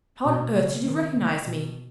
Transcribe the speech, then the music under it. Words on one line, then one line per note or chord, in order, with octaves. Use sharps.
How on earth did you recognise me?'
B2
C#3
D#3
C#3
B2